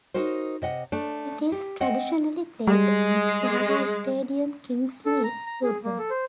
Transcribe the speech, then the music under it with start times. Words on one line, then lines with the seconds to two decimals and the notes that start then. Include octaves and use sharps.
It is traditionally played at Sahara Stadium Kingsmead, Durban.
0.14 D#4 F#4 A#4 C5
0.62 C3 D#5 F#5
0.92 A3 D4
1.52 G4
1.80 C4 D#5 F#5
2.67 G3 G#3
5.06 A4
5.24 A#5
5.46 A#5
5.63 G#4
5.84 A#3
5.98 A4
6.10 C5